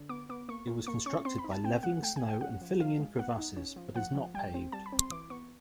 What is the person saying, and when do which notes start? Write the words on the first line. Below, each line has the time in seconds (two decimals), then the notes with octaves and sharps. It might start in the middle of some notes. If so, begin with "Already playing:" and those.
It was constructed by leveling snow and filling in crevasses, but is not paved.
Already playing: D3
0.09 B3 D6
0.29 B3 D6
0.49 A#3 C#6
0.67 A#3
0.87 A#3 C#6
1.06 C#4 C#6
1.25 C4 C6
1.38 B5
1.44 D#4
1.51 A5
1.64 C4 G5
1.83 G#3 F#5
2.02 A3 G5
2.16 G#5
2.23 A3
2.29 G5
2.41 C#4 F#5
2.61 F3
2.80 F3 F5
3.00 G#3
3.18 B3 F#5
3.38 D#4
3.56 C#4
3.76 F3
3.95 F3 F#5
4.15 F3
4.34 G3 G5
4.54 C4
4.72 G3 A5
4.86 B5
4.92 C4
4.99 C6
5.11 E3 D6
5.30 B3 C#6